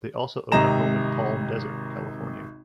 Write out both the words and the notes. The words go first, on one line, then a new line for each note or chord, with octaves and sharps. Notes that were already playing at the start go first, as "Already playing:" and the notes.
They also own a home in Palm Desert, California.
G#1 C3 D#5 A#5 E7